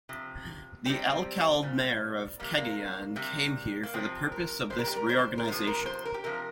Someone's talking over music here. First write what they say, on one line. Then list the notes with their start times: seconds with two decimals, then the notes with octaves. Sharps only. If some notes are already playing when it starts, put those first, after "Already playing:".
The alcalde mayor of Cagayan came here for the purpose of this reorganization.
0.09 C3 F3
0.86 C3 G3 C4
1.63 A#2 G3
2.40 C3 G3 A#3
2.57 A#3
3.16 C3 G3
3.83 A#3
3.93 C3 F3 C4
4.32 A#4
4.70 C3 G3 C5
4.79 A#4
4.87 G4
4.96 A#4
5.09 C5
5.38 A#4
5.47 C3 F3 C5
5.67 A#4
5.86 C5
6.05 A#4
6.14 G4
6.24 C3 F3 A#4